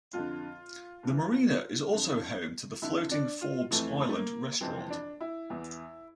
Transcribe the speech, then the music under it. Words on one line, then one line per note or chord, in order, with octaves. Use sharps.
The marina is also home to the floating Forbes Island restaurant.
F2 D3 F4
G2 E3
F2 D3
F2 D3 E4
D4
F4
F2 E3 A3
A3
A#3
F2 C3 E3 C4
D4
E4
E2 E3